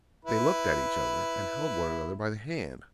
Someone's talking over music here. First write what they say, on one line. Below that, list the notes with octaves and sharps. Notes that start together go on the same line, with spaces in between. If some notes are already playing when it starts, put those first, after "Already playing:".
They looked at each other and held one another by the hand.
E4 B4